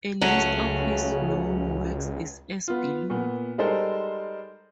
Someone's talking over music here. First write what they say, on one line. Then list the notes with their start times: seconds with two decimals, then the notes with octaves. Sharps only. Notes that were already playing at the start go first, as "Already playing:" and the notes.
A list of his known works is as below.
0.21 C#2 C#3 F#3 A3 C#4
2.68 B3 F4
3.10 A#2 B3
3.58 G3 G#3 D#4 A4 A#4 C5